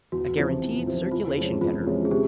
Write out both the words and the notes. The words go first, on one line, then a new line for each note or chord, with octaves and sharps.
A guaranteed circulation-getter.
E2 F#4
C3 F3 E4
E2
C3 F3
E2 F4
C3 F3 G#3 C#4
E2 F4
C3 F3 G#3 C#4
G#4
C3 G4